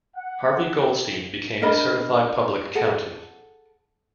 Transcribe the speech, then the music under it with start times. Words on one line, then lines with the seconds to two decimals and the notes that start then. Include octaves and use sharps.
Harvey Goldstein became a certified public accountant.
0.16 F#5
1.62 D4 A#4 D#5 B5
2.75 G#4 A4 F#5